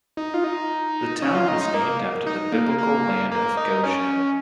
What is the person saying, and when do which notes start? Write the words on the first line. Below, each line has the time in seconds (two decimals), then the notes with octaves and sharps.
The town was named after the biblical Land of Goshen.
0.17 D#4
0.34 F4
0.44 D#4
1.22 C#4
1.35 F4
1.48 D#4
1.61 D#4
1.74 A#3
2.26 D#4
2.52 A#3
2.78 A#3
3.31 A#3
3.57 D#4
3.83 C#4